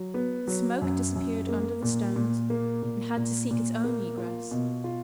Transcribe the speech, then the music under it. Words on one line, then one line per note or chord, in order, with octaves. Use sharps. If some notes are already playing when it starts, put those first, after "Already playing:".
The smoke disappeared under the stones, and had to seek its own egress.
Already playing: F#3
B3
F#3
F#2
F#2
A#3
A#2
A#2
A#3
A#2
A#2
A#2
A#3
F4
B2
F4